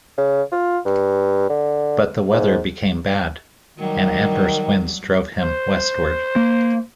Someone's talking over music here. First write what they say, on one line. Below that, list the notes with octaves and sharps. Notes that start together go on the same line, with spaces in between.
But the weather became bad, and adverse winds drove him westward.
C#3
F4
G2
D3
G#2
D#3 F#3 G3
C5
A#3